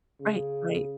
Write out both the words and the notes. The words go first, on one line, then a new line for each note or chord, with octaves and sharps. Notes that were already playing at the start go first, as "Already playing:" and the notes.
Right, right.
C#3